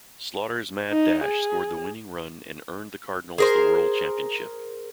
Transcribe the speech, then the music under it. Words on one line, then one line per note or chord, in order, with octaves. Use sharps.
"Slaughter's Mad Dash" scored the winning run and earned the Cardinals the world championship.
D#4
G#4
G#4 A#4 C5